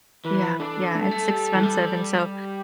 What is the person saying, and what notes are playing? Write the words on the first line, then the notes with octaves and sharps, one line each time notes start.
Yeah, yeah it's expensive, and so
E3 B4
D4 A4
A3
G3
A3
G3
E3
G3
G4